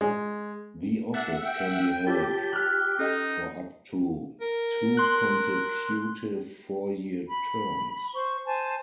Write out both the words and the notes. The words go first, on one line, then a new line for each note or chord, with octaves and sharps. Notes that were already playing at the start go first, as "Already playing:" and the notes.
The office can be held for up to two consecutive four-year terms.
G#3
D4 E5 F#5
G5
F4 G4 A#4 C#5 A5
F6 F#6
C#4 D#4 A4 D#5
A#4
C6 F#6
B5
C5 C#6
C5 G#5 A5